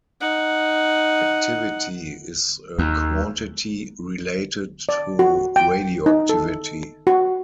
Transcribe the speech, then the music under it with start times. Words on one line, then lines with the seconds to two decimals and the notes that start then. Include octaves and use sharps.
Activity is a quantity related to radioactivity.
0.21 D#4 F#5
2.79 D#2
4.89 D5
5.19 F#4
5.56 G5
6.06 D#4
6.29 A4
7.07 F#4